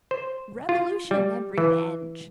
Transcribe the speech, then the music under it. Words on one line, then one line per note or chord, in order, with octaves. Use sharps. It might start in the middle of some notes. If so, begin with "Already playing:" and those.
Revolution and Revenge!
C5
F4
G3
E3